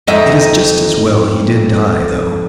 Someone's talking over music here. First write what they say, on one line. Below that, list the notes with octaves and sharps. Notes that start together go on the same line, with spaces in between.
"It is just as well he did die, though."
F2 D#4 E5